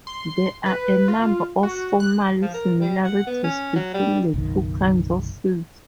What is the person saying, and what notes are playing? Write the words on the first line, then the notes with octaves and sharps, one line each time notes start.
There are a number of formal similarities between the two kinds of fields.
C6
B4
F4
F#4
F#6
F3
A#4
G3
F#5
B3
C#4
F#3
G3
F#1 B1 D#3